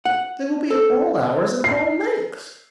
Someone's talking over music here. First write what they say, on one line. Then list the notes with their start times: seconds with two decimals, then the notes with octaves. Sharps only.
They will be at all hours, and of all lengths.
0.05 F#5
0.70 A4
1.64 C7